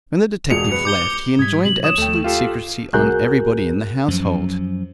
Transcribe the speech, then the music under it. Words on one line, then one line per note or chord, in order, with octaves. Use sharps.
When the detective left he enjoined absolute secrecy on everybody in the household.
E1 G#4 C#7 F7
B4 C#7
D6 G6 G7
G#2 G3 D#6 G#6 B6
C3 F#3 F#7
C#5 D#6 E7
D#2 A3 G5
F4 G4 A4 F5
C2 F#4 G#4 A#4 F#6 G6
F#2 F3